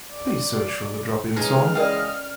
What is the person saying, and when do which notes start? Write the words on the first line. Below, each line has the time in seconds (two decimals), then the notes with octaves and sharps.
Please search for the Drop-In song.
0.12 D5
1.36 C#3 E3 G#3 D#4 G#4 F6
1.75 C#4 A#4 D5 D#5 F5